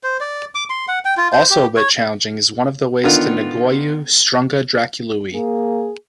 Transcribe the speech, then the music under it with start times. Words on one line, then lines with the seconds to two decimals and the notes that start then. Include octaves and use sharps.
Also a bit challenging is one of the ways to Negoiu - Strunga Dracului.
0.03 C5
0.20 D5
0.55 D6
0.70 C6
0.88 F#5
1.05 G5
1.17 F4
1.33 C5
1.50 G4
1.76 C#5
3.03 D3 D#3 B3 D4 F4
5.34 A#3 G#4